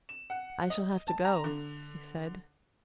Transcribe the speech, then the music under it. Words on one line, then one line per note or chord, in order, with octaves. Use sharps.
"I shall have to go," he said.
E7
F#5
D#5
A5
A#5
D3